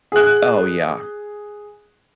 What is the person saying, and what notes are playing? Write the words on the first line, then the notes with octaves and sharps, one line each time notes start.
Oh, yeah.
G#4 F#6